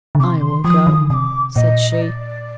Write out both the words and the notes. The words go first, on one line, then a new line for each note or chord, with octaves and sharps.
'I will go,' said she.
D3
C3 C6 D6
D#3
F3 D#6
D#3
D3
C3 D6 D#6
A#2 D#5
D#5
D5